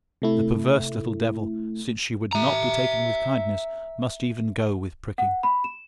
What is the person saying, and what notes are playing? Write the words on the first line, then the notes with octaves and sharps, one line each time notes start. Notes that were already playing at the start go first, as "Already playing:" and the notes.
The perverse little devil, since she would not be taken with kindness, must even go with pricking.
C3 A3 E4
E5 A#5
F#5
B5
E7